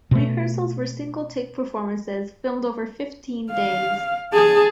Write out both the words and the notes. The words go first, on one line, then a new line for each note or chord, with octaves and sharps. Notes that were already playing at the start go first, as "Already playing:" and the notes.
Rehearsals were single-take performances, filmed over fifteen days.
B2 A3
F5
G#4 A5